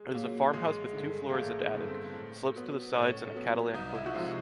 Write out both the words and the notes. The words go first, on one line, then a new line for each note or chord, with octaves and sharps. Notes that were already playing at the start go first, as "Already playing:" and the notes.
It is a farmhouse with two floors and attic, slopes to the sides and a Catalan cornice.
Already playing: G#3
A#2 F#3 A#3 C#4
A1 G#3
G2 D3
A#3
A1 A3
B3
G2 D3
C4
A2
F#3 B3
A2 C#4
F#3 B3
C2 D#4
E4
F#4
C3 F3 G#3 C4 F4